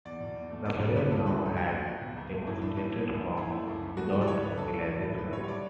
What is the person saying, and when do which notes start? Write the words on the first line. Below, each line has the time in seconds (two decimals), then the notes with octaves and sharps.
The brain now had demonstrated form, without localised function.
0.05 E2 D5
0.21 B2
0.36 E2
0.50 A3
0.65 C#2 D5
0.81 C#3 D5
0.96 C#2 B4
1.11 E3 A4
1.26 D2 B4
1.41 D3 A4
1.56 D2 F#4
1.71 A3
1.86 C#2
2.02 B2
2.17 C#2
2.32 A3
2.47 A2 E4
2.62 E3 D4
2.77 A2 D4
2.92 B3 E4
3.07 F#2
3.22 D3
3.37 F#2 E4
3.52 A3
3.67 C#2
3.83 C#3
3.97 A3 F#4
4.12 E3 G4
4.21 D5
4.27 C#2 C#5
4.42 C#3 B4
4.57 C#2 A4
4.73 E3
4.88 A2
5.03 E3
5.18 A2 B4
5.33 G3 C#5
5.44 C#5
5.48 D5